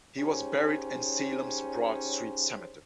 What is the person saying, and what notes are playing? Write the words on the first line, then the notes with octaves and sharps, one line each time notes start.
He was buried in Salem's Broad Street Cemetery.
C#4 D#4 G4 G#4 C5 C#5